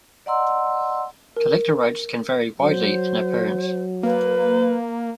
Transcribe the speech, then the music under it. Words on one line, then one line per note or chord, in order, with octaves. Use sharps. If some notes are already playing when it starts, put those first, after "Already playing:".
Collector roads can vary widely in appearance.
D5 D#5 F#5 A#5 C6 E6
A#4
F#3 C5
A#3 B4